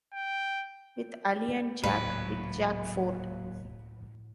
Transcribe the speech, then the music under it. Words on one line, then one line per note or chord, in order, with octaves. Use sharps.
With Ali and Jack, with Jack Ford.
G5
D#1 C#2 A2 F#3 A#3 B4